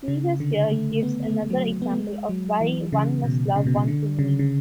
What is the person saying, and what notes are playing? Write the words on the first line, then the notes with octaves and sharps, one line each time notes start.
Jesus here gives another example of why one must love one's enemies.
C#3
D3
A3
B3
A3
F#3
B3
A3
G#3
F#3
E3
C#3
B2
C#3
B2
C#3
D3
C#3
C#3